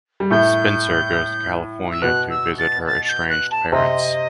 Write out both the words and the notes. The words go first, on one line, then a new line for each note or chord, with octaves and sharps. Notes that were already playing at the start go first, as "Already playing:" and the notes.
Spenser goes to California to visit her estranged parents.
G3
A2 A3 G6
E6
B2 B3 F#6
E6
A6
A6
A6
G6
F#6
A5
C3 C4 D#5